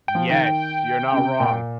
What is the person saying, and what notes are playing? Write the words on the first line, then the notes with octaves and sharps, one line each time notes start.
Yes. You're not wrong.
G5
F3
D#3 G5
C#3
C3
A#2